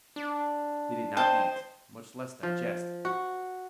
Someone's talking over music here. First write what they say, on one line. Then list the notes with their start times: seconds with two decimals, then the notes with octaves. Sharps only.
They did not eat, much less digest.
0.16 D4
1.17 C5 D#5 G5 A5
2.43 F3
3.05 F#4